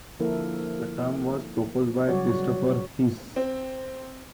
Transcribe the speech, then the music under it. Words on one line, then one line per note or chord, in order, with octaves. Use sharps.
The term was proposed by Christopher Hsee.
D3 F3 A#3 E4 A4 A#4
C#3 F#3 G3 F#4 C#5 D5
C4